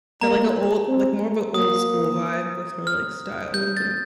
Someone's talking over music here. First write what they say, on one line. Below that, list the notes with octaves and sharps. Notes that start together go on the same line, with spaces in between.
Got, like, a old like, more of a old school vibe with her, like, style, I think.
A#3 A#5
C4
A#3 D#6
F6
G3 G6
A6